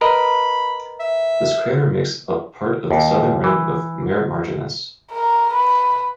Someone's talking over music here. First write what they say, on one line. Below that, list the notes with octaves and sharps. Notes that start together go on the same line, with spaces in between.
This crater makes up part of the southern rim of Mare Marginis.
A#4 B4 D#5 B5
E5
D#2
E3
A#4
B4